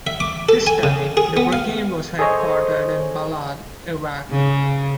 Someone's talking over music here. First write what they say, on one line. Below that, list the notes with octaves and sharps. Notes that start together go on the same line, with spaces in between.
This time, the brigade was headquartered in Balad, Iraq.
E5
D6
A4
G#5
C#3
G#4
B3
F5
G#4 A4 C5 C#5 D#5
C#3